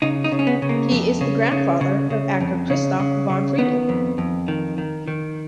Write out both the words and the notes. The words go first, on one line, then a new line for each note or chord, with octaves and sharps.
He is the grandfather of actor Christoph von Friedl.
C#3 D#4
D#4
C#3
C#4
B3
C#3
A#3
F2
C#3
C#3
C#3
C#3
F2
C#3
C#3
C#3
D#3 B3
F2
F2
D#3
D#3
D#3